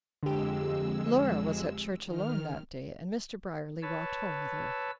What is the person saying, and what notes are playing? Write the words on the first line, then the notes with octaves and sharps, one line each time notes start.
Laura was at church alone that day, and Mr. Brierly walked home with her.
F2 D3 G#3 G4 E6
D#3 F6
B4 C#5 A5 E6